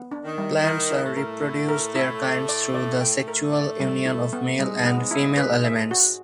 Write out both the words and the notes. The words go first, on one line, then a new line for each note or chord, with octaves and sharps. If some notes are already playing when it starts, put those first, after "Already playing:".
Plants reproduce their kinds through the sexual union of male and female elements.
Already playing: B3
D4
D#3
G3
D#3 E4
E4
A2 A3
A#4
E4
A#4
E4
D5
D5
D5
A2 A3 G5
A#4
D5
G3
E4
B3
G#2 G3 G#3
B3
E4
B4
E5
F#4